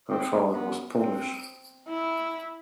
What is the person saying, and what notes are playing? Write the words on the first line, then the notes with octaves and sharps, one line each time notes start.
Her father was Polish.
C4
B3
C4
E4